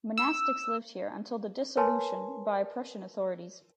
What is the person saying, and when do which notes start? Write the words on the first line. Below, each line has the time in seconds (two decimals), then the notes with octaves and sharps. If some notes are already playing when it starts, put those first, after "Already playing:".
Monastics lived here until the dissolution by Prussian authorities.
0.18 E6
1.77 A#4 B4 C#5 G#5 A5 C6